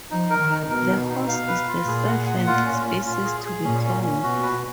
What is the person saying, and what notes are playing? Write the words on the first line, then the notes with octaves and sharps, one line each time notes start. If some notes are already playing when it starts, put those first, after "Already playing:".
The horse is the seventh species to be cloned.
F3 D#4
A#4
D#3
D#4
B2 A#4
D#4
D#4
F5
B4
F4
A#2 G#4
F#5
F#5
F4
C#4
F4
F4
G#4
G#4
A#2 C#4
C#4
C#4
B2 F#4
B4